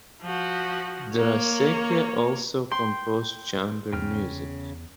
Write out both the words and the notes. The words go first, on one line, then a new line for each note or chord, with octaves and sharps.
Draeseke also composed chamber music.
F3 F#4
A#3 C#5
G5 C6
E2 C#3 G5 F6